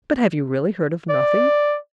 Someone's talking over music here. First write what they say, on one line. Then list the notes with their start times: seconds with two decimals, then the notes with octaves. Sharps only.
"But have you really heard of nothing?"
1.10 D5